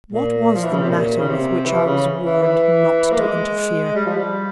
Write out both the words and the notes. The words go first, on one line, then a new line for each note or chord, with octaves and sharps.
What was the matter with which I was warned not to interfere?
A#2
F3
E3
C#3
C3
A#2
C#3
C3
E3
C#3
E3
E3
A#3
G#3
G3
F3
G3